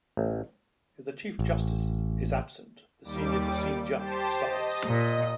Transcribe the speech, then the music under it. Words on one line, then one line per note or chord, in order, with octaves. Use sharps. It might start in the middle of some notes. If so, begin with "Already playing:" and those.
If the Chief Justice is absent, the senior puisne judge presides.
A1
A1
D#2 G3 D6
G4 C5 A5
D#5
A#2